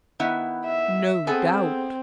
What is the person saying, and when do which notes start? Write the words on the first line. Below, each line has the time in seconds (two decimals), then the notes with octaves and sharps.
"No doubt."
0.20 D#3 B3 E4
0.65 E5
1.27 B3 C4 G#4 A4